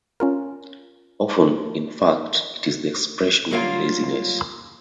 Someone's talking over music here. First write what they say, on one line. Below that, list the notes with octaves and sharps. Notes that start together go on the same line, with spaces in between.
Often, in fact, it is the expression of laziness.
C#4 F4 A#4
F#3 G3 A#3 F4 C#5 F5